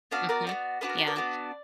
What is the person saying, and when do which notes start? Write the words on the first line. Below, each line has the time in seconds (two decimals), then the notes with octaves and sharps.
mhm, yeah.
0.11 B3 D4 F#4 D5 F5
0.29 A#4 D5
0.47 B3 D4 F#4
0.81 B3 D4 F#4 B4
0.89 A#4
0.98 B4
1.07 A#4 D5
1.16 B3 D4 F#4